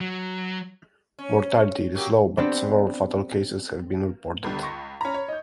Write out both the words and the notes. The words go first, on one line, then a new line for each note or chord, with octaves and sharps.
Mortality is low, but several fatal cases have been reported.
F#3
C#4
F#3 A#3 G4
B3 C4 D4 G4
C#2 D3 G3 B3
C6 C#6 A#6
C#4 A#5 B5
C#5
D#5 G6